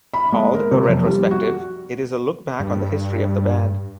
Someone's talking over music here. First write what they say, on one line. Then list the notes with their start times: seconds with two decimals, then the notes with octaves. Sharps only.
Called "A Retrospective", it is a look back on the history of the band.
0.14 B5
0.32 G#3
0.55 A#4
0.71 C3
0.88 F2
1.05 G3
1.31 F#4
2.60 G2